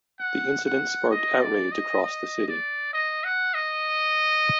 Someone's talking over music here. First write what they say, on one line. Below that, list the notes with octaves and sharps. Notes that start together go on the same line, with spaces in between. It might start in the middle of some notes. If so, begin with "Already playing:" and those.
The incident sparked outrage across the city.
F#5
F#5
D#5
D5
D#5
D#5
D5
D#5
F#5
D#5